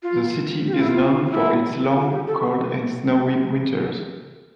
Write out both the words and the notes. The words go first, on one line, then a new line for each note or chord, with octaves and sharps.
The city is known for its long, cold and snowy winters.
F4
G4
F4
E4
F4
F4
E4
F4
G4
A4